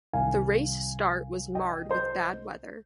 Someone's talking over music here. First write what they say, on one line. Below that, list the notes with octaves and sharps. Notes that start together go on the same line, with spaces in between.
The race start was marred with bad weather.
C2 C3 D#3 F5 G#5
D#5 G5
C5 D#5